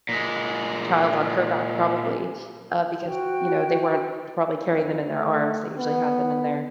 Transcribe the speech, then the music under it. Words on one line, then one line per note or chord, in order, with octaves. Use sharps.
child on her back probably, uh, because, you know, they weren't probably carrying them in their arms. They usually had them in their
A#2 G#3
F#4 G5
F2
A3
B3